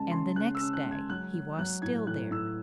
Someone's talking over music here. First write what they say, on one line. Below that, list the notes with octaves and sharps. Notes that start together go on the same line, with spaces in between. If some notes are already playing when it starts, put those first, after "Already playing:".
And the next day he was still there.
Already playing: C#3 G#3 A5
C#3 C6
C#3 F#6
E6
C#3
F#6
G#3
G#6
F#3 F#6
F#3
F#3 F#6
A2 G#6
A2 F#6
A2 E6